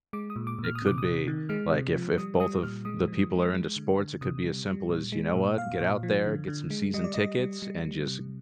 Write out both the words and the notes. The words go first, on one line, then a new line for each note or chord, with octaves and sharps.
it could be, like if if both of the people are into sports, it could be as simple as, "You know what, get out there, get some season tickets and just
G#3 D6
D#6
A#2
D6
A#2
F6
D#6
C3 D6
D#6
C3
D#3
G#3 F6
C3
F3
G3 D#6
G3 D#6
A#2 F6
G#3 D#6
F3
G#3
G#3
D3
D3
C3 D#6
G3
G3
A#2
G#3
A#2
A#2 F5
A#2
F3
D3
D3
G#3
G3 D#5
D5
G3 D#5
G3
G3
G3
C3